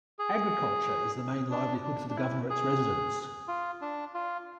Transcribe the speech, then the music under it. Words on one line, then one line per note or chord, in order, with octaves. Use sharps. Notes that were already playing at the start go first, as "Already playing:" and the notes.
Agriculture is the main livelihood for the governorate's residents.
G#4
D4
D4
D4
E4
G#4
F4
D4
F4